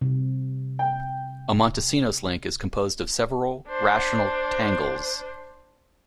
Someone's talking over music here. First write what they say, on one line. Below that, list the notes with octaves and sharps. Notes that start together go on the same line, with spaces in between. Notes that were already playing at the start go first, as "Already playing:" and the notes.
A Montesinos link is composed of several rational tangles.
C3
G5
D4 C5